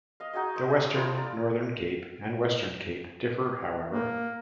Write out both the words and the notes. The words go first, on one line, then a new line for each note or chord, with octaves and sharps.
The western Northern Cape and Western Cape differ however.
D#5 F5
D#4 F#4 G#4 D#5
C5 D#5
D#5
A3 E4 F4
D5 A#5
A#3